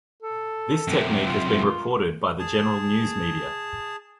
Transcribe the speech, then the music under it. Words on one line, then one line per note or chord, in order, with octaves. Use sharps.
This technique has been reported by the general news media.
A4
F#2 C3
F4
G#4 A5